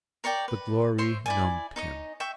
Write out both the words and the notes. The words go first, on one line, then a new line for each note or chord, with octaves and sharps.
The glory numbed him.
A#4 C#5 D5 G5
B4
C5 C#5 E5 C6
E4 D5 G#5
D#4 C#5 D#5
E5 G5 C#6